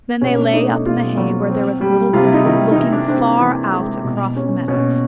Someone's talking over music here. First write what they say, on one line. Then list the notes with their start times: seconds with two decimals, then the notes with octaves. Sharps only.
Then they lay up in the hay where there was a little window, looking far out across the meadows.
0.21 B2 C#4
0.38 D4
0.54 A3 D#4
0.86 B2 F4
1.18 F#3
1.50 C4
1.81 G3
2.13 C3 F4
2.24 E4
2.34 D#4
2.45 D#3 E4
2.72 D#4
2.76 E3 E4
2.93 D4
3.08 C4 D4
3.24 D4
3.40 E3
3.72 G#3
4.04 B2
4.36 C#4
4.68 B2 C#4